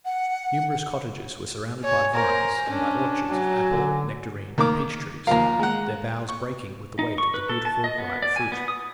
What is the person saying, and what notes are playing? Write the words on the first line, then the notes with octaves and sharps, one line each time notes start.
Numerous cottages were surrounded by vines, and by orchards of apple, nectarine, and peach-trees--their boughs breaking with the weight of the beautiful ripe fruit.
F#5
C#5 G#5
A#4 C5
C#4 D4
F#3 G#5
D3
D#3 A#3 D6
D#2 F3 A#4 F5 A#5
G#3 F#5
C#6
D#4
C#6
B4
A4
A5
D#5
B3
D5
G#5
B3
D#6